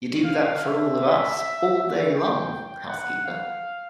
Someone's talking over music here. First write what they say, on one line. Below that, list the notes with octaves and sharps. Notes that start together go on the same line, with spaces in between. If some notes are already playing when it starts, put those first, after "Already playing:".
You do that for all of us, all day long, housekeeper!
F5
E5
G5
F#5
F5